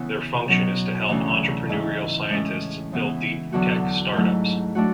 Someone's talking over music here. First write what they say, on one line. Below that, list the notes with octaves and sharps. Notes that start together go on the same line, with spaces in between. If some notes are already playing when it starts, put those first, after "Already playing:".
Their function is to help entrepreneurial scientists build Deep Tech startups.
Already playing: C#3 E3 B3 E4
B2 F#3 C#4
D2 C#3 E3 A3 C#4
G#2 G#3 C#4 E4
A2 G#3 C#4 E4
C#3 E3 B3
E2 D3 F#3 B3 F#4
G#2 F#3 A3 E4
F#3 A3 D4 F#4